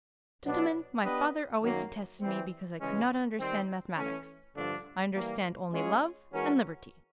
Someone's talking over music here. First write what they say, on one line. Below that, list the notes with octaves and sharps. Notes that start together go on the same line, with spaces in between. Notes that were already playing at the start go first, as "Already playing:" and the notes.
Gentlemen, my father always detested me because I could not understand mathematics. I understand only love and liberty.
B2 F#3 B3 D4
B3 D4 G4 B4 D#5
F#2 D#3 F#3 A#3
E3 G3 C4
C#3 E3 G#3 C#4
D#3 G3 C4
E3 A3 C#4
G2 D3 F3 A3 D4
E3 G3 A#3
G#3 C#4 F4 G#4 C#5
E3 G#3 C#4 F#4 A#4